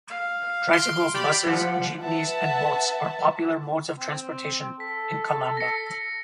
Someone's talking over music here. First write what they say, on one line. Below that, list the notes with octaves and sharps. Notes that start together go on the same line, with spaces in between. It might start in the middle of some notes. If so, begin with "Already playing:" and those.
Tricycles, buses, jeepneys, and boats are popular modes of transportation in Calamba.
F5
C6 D7
G4 D5 B5
F3 F#5
B4 E5 F#5 A5
C4
A4 B6
A#6 C#7